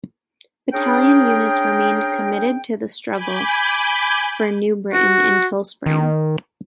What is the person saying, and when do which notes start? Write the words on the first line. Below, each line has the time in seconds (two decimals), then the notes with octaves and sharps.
Battalion units remained committed to the struggle for New Britain until Spring.
0.73 C#4 D4 G#4 A#4 G5
3.10 G#5 B5 D6 G6 G#6
4.93 F#4
5.86 D#3